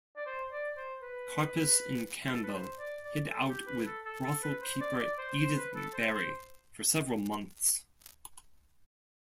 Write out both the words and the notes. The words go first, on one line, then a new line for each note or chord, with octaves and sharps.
Karpis and Campbell hid out with brothel-keeper Edith Barry for several months.
D5
C5
D5
C5
B4
A4
B4
C5
D5
D5
A4
G4
B4
A4
A4
A4
B4
C5
D5
D5
C5
C5
B4
A4
C5
C5